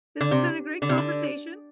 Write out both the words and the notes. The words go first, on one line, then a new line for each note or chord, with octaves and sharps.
this has been a great conversation.
D3
C3
D3
C3
D3